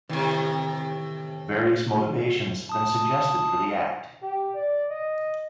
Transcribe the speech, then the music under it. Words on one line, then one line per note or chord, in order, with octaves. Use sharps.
Various motivations have been suggested for the Act.
A2 C3 D#3 E3
A5 D#6
G4
D5
D#5